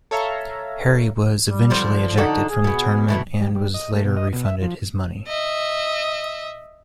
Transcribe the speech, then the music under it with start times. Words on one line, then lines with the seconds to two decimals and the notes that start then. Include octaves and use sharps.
Harry was eventually ejected from the tournament and was later refunded his money.
0.11 A4 C#5 E5 F5 A#5
1.46 G3
1.70 D3 F3 C4
2.18 D3 D#4 F#4 A4
2.49 G#4
2.64 B2 B3
3.09 B2 E3 A3
3.41 G3
3.55 G3
3.74 D#5
3.92 A3
4.05 B2
4.17 D#5
4.33 B2
4.45 E5
4.62 F3
5.27 D#5 E5